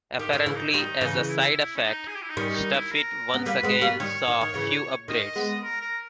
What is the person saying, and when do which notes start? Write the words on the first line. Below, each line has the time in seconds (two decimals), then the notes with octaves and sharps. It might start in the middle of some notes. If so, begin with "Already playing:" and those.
Apparently as a side-effect, StuffIt once again saw few upgrades.
0.19 D#3 G4
0.33 D#3
0.38 E4
0.46 C#3 E3
0.56 D#4
0.69 E4
0.74 D#3 G3 D#4
1.01 C#3 E3
1.28 E4
1.76 C#4
1.82 D#4
2.08 G#4
2.15 G4
2.22 E4
2.30 D#4
2.37 D#3 G3 C#4
2.55 D#4
2.73 E4
2.92 A#4
3.34 B3
3.45 G3 A#3 B4
3.63 G#3 B3
3.81 G3 A#3
4.00 D#3 G3 C#5
4.28 D#3
4.41 D#3
4.54 C#3 E3
5.08 D#3 D#5
5.36 G#3 B3
5.63 A#4
5.81 A#4